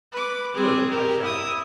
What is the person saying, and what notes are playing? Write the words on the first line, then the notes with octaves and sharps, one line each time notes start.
"Good!" I shouted.
B4 D6
C4 G#4
G4 A#4
E4 D#6